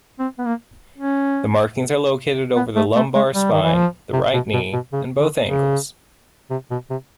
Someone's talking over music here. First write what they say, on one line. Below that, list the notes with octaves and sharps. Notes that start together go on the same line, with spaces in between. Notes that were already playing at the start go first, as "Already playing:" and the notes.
The markings are located over the lumbar spine, the right knee, and both ankles.
C4
B3
A#3
C#4
B3
A3
A3
G#3
G3
D#3
E3
F3
C3
B2
B2
B2
C#3
D3
C#3
C3
B2
C3